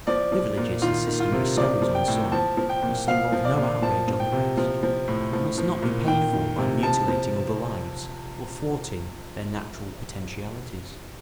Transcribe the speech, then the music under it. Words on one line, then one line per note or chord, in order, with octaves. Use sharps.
The privileges the system bestows on some must involve no outrage on the rest, and must not be paid for by mutilating other lives or thwarting their natural potentialities.
F3 D5
F3
A#2
D#3 F4
D#3
F4
C3
F3 D5
F3
G5
A2
F3 A5
F3
G5
A#2
F3 F5
F3
D5
A#2
F3 A5
F3
G5
C3
F3
F3
A2
F3
F3
A#2
D#3 G5
D#3
C3
F3 A5
F3